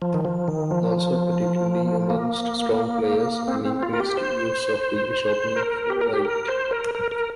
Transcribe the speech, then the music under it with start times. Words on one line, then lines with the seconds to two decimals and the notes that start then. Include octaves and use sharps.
Also, particularly amongst strong players, an increased use of the English Opening for White.
0.02 F3
0.14 D#3
0.25 F3
0.48 D#3
0.71 F3
2.10 A#3
3.48 C4
3.65 C4
3.83 F4
3.93 A#4
4.00 G4
4.17 C5
5.56 A#4
5.90 G4
6.01 A#4
6.13 G4
6.25 A#4
6.48 C5
6.71 A#4
6.95 A#4
7.11 A#4